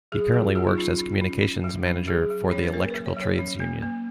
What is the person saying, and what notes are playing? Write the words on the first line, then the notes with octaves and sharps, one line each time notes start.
He currently works as communications manager for the Electrical Trades Union.
F#3 G#4
F#3 F4
F#3 F4
D#4
C#4 F4
C#4
C#4
C#4
F#3
C#4
F#3 G#4
F#3
C#4 C#5
B4
A#3 A#4
F#3 B4
C#5
F#3 C#5
C#4
A#3
A#3